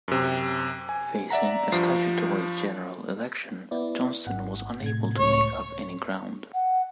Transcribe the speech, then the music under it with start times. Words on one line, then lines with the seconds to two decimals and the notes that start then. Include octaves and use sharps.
Facing a statutory general election, Johnston was unable to make up any ground.
0.08 F#2 C3
0.89 G#5
1.31 D5 E5 F#5 A#5
1.72 G2 F3 C7
3.71 B3 E4 D5
4.27 G#1 F#5
4.82 A2 C3 G#6
5.18 C#2 A2 C#5
6.54 F#5